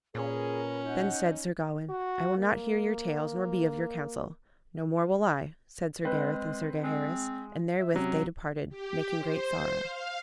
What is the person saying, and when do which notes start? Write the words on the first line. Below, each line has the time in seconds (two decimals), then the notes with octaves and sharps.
Then said Sir Gawain, "I will not hear your tales nor be of your counsel." "No more will I," said Sir Gareth and Sir Gaheris, and therewith they departed, making great sorrow.
0.15 A#2 C#4 G#4 A#4 B4
0.86 D#4 F#5 G6
1.89 F#4
2.38 A#3
6.05 G#3 C4 B4
6.83 G#3 C4
7.79 E5
7.93 C3 F#3 C#4
8.69 G4
9.16 C5
9.80 F5